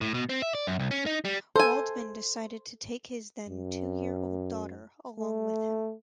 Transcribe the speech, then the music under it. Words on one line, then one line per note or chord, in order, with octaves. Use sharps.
Waldman decided to take his then two-year-old daughter along with him.
A2
B2
C4
E5
D5
F#2
C2
C#4
D#4
G3
A4 C5 G#5
F#2
A3